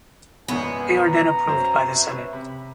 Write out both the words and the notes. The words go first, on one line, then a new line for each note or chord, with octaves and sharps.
They are then approved by the Senate.
E1 F#2 G#3 B3 C#4 G#5
A#5
F#2 F#3 C5
B4 C#5 E5
C3 B5